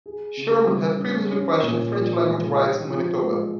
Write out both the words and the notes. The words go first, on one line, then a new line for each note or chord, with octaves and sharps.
Sherman had previously questioned French-language rights in Manitoba.
G#4
C#3
G3
C#4
C#4
A#2
F3
G#3
G4
F3
G#3